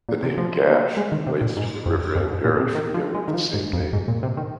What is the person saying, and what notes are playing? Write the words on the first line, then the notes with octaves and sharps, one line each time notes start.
The name Gash relates to the river in Eritrea with the same name.
A#2
C3
F3
A#3
G#3
D#3
C3
A#2
G#2
F2
F2
G#2
A#2
C3
D#3
F3
G#3
D#3
F3
G#2
F2
G#2
A#2
C3
D#3